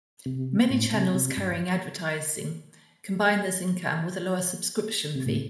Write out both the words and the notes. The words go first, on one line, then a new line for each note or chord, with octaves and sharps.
Many channels carrying advertising combine this income with a lower subscription fee.
C3
A2
C3
C3
G2
C3
A2